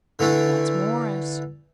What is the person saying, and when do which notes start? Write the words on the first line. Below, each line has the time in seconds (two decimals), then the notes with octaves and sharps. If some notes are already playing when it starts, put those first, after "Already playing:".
That's Morris.
0.19 D3 E3 A3 D4